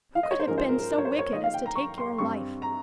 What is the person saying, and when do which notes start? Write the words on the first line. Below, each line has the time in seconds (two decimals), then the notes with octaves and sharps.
"Who could have been so wicked as to take your life?"
0.15 F5
0.23 D#5
0.31 C#5
0.40 C5
0.47 G#2 F3 G#3 C#4 A#4
0.58 C5
0.69 A#4
0.79 A#4
0.90 A#4
0.98 C#5
1.05 C5
1.19 C#5
1.33 D#3 A#3 F4 D#5
1.44 F5
1.54 G5
1.66 A#5
1.76 C#6
1.98 C6
2.18 G2 G3 C4 C#6
2.62 A#5